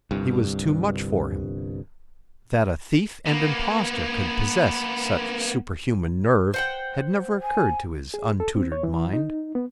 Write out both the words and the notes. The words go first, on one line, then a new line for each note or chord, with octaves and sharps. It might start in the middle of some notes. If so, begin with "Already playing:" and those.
He was too much for him. That a thief and impostor could possess such superhuman nerve had never occurred to his untutored mind.
G1 C2 G2
A#3 B3
C5 F#5 G5
G#5
G#4
A4
C4
C#5
E3
D#4
B3